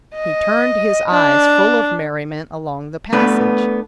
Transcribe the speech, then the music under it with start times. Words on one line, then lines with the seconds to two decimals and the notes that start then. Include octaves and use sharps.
He turned his eyes full of merriment along the passage.
0.15 D#5
1.10 D4
3.13 A3 B3 D4 B4